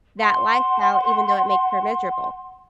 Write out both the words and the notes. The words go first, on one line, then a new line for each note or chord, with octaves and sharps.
that lifestyle, even though it makes her miserable.
F#5 C6